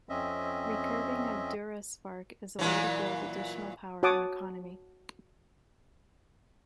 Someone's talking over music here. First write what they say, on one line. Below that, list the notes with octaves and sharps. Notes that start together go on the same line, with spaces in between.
Re-curving a Duraspark is a way to build additional power and economy.
F2 C4 C#4 D#5 E5
A#2 E3 F#3
F#4 C#5 F#5 A5 D6 D#6